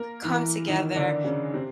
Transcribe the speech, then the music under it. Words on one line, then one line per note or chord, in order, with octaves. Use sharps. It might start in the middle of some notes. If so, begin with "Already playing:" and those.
come together,
Already playing: A#3 A#4
E3 E4
D#3 D#4
D3 D4
C#3 C#4
C3 C4